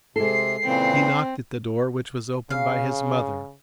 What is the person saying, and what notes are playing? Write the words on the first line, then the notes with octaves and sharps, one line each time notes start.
He knocked at the door which was opened by his mother.
C3 G#3 A4 C7
A#2 C#3 E3 C4
C#3 F5